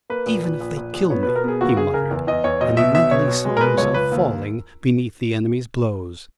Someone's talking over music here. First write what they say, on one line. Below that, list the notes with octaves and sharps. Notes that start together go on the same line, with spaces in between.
"Even if they kill me," he muttered, and he mentally saw himself falling beneath the enemy's blows.
A#3 B4
A#1
A#1
A#1
A#1
A#1
B3 C#5
B2 B4
A#4
B3 G#4
D#2 F#4
C#3 G#4
C#3 A#4
E2
E2 D#5
E2 C#5
B1 D#5
B2 E5
B1 E5
B2 C#5
B2
G#3
A#4
B2 B4
C#2 C#5
C#2 B4
D#2